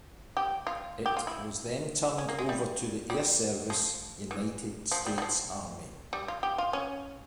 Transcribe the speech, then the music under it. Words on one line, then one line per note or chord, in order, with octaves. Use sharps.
It was then turned over to the Air Service, United States Army.
G4
F4
G4
F4
E4
C#4
A#3
G#3
G3
G3
F3
E3
F3
G3
G3
F3
G3
F4
G4
F4
C#4